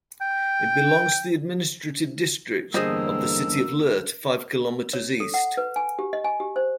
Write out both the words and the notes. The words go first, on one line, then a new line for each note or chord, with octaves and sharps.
It belongs to the administrative district of the city of Lehrte, five kilometres east.
G5
E2 G2 D3 A#3 G#4 C5 D#5 E6
C#5
A4
F#5
B4
G#5
G4
D#5
G#5
G4
C5